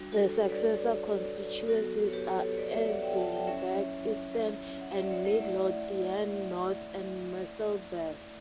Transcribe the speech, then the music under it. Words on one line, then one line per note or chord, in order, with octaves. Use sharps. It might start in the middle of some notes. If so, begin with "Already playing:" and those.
The successor constituencies are Edinburgh Eastern, and Midlothian North and Musselburgh.
Already playing: G3 D4 F#4
F#4 A4
A4 C#5
B4 D5
A4 C#5
F#3 B3 F#4 A4
C#5
G4 B4
A4 C#5
C#5
B4 D5
C#5 E5
D5 F#5
E5 G5
F#5 A5
A5
E5 G5
F#3 C#4 E4 C#5 E5
F#5
E5
D5
C#5 E5
A3 E4 F#5
E5
D5